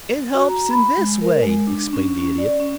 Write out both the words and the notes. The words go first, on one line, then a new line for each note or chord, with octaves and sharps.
"It helps in this way," explained the Idiot.
F#4
A#5
B5
G#3
A#4
G#3
D4
C#4
C#4
D5
C#4